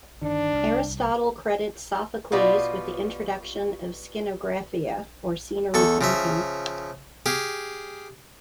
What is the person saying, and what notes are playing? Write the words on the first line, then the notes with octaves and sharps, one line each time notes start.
Aristotle credits Sophocles with the introduction of "skenographia", or scenery-painting.
G1 D#3 D4
C2
B2 G3 B3 F4 B4 D5
E2 A4 C#6
C#3 F3 E5
G4 G#4 F5